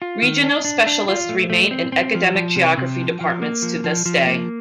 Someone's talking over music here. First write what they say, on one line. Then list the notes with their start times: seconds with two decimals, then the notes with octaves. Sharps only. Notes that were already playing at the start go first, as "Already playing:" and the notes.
Regional specialists remain in academic geography departments to this day.
0.02 F4
0.22 D#3
0.44 D4
0.65 D4
0.87 D4
1.08 F4
1.29 A3
1.50 A3
1.71 C4
1.92 C4
2.15 F3
2.35 F3
2.56 C3
2.77 C3
3.00 F3
3.21 F3
3.42 A#3
3.62 F3
3.84 F3
4.06 F3
4.26 A#3